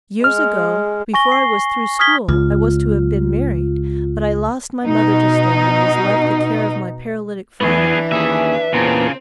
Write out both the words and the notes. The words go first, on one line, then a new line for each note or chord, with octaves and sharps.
Years ago, before I was through school, I was to have been married; but I lost my mother just then and was left the care of my paralytic father.
G#3 F6
G#5 C#6 A#6 G7
C7
D#6 F6 G#6 B6 G7
C#2 F4
B2 D#4
E2 G#2 E3 B3 D4 G#4 B4
D#2 C#4 G#4 E5
E2 A#2 C#3 C4 D4